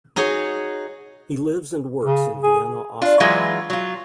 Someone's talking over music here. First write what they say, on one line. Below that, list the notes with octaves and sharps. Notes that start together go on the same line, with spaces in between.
He lives and works in Vienna, Austria.
D#4 F#4 G#4 C#5
C#3
G#4
D4 F4
E3 F#3 G#3 E4 F4
F#3 F4